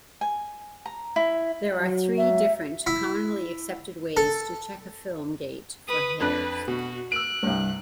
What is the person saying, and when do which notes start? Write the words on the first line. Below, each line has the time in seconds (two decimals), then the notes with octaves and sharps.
There are three different commonly accepted ways to check a film gate for hairs.
0.21 G#5
0.86 A#5
1.16 E4
1.80 F#3
2.18 E5
2.87 E4
4.17 A4
5.88 B4 D#6
6.20 F2 D4 B4 F#6
6.68 B2 F#4
7.12 E6 F#6 D7
7.43 C2 G2